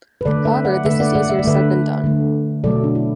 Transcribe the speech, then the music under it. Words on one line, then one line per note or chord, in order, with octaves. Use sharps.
However, this is easier said than done.
B4
D3 A3 A4 D5
B4 E5
D5 F#5
D3 A3 B4 E5
D5 F#5
D5 F#5
E5
D5
D3 A3 B4 E5
D3 A3
B2 F#3 A3 A4 D5
D4
E4